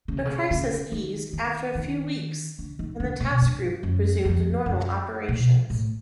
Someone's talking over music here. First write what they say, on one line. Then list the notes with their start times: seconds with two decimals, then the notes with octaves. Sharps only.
The crisis eased after a few weeks, and the task group resumed normal operations.
0.08 C#3
0.17 C3
0.25 C#3
0.51 C#3
0.92 D#3
1.33 D#3
1.75 D#3
2.59 D3
2.79 D#3
3.00 D3
3.20 B2
3.42 G2
3.83 F#2
4.25 F2
4.66 F#2
5.29 B2
5.70 A2